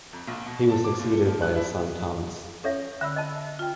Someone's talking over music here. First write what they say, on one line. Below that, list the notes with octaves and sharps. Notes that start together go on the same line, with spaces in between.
He was succeeded by his son Thomas.
F2
A#1
B2
A5
D6
D#2
A4
F3
F#6
E4
C#4 A4 C#5 E5
D3 E5 B5 E6
D#5 A5
F4 G5